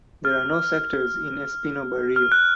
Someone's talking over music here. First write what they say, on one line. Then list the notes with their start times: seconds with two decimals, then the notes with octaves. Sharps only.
There are no sectors in Espino barrio.
0.25 F6
2.16 F6
2.32 F#6